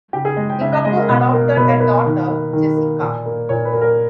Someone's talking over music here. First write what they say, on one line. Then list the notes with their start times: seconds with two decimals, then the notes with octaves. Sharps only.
The couple adopted a daughter, Jessica.
0.13 C#3 G4
0.25 G#4
0.37 G#3 D#5
0.49 G5
0.61 C#3 E5
0.73 D#5
0.85 G#3 D#5
0.97 A#4
1.09 B2
1.33 A#3
1.56 B2 B4
1.68 C#5
1.80 A#3 B4
2.06 D#3
2.29 A#3
2.53 D#3
2.77 A#3
3.01 A#2
3.26 A#3
3.49 A#2 C#5
3.65 B4
3.73 A#3
3.81 A#4